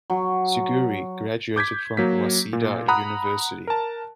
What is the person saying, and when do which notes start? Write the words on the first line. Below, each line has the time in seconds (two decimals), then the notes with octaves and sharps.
Suguri graduated from Waseda University.
0.10 F#3
1.56 D6 G6 G#6 B6
1.97 F#3 A#3 B6
2.53 A#2
2.88 F#5 A#5 B5 D#6 F#6
3.67 A#4 A5